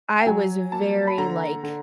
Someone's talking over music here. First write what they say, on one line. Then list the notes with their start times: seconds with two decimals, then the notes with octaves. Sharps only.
I was very, like,
0.21 G5
0.26 F#3 G#5
0.72 A#3 A5
1.07 B5
1.18 D3 A#5
1.63 D3